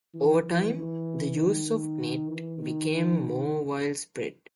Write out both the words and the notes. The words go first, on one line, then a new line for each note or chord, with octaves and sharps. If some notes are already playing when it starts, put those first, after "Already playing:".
Over time, the use of kente became more widespread.
E3
E3
E3
D#3
D#3
E3
D#3
D#3